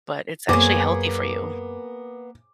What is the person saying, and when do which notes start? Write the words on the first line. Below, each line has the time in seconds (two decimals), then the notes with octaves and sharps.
but it's actually healthy for you.
0.49 F#2 F#3 A#3 B3 G#4 C5 C#5 D6